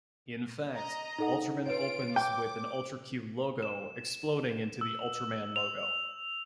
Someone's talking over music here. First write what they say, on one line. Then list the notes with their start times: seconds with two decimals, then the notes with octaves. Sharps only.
In fact, "Ultraman" opens with the "Ultra Q" logo exploding into the "Ultraman" logo.
0.75 D#5 A#5
1.18 D#4 A4 F#5
1.66 F4 B4 C#5 D7
2.16 G5 D6
3.63 E7
4.81 E6
5.56 F7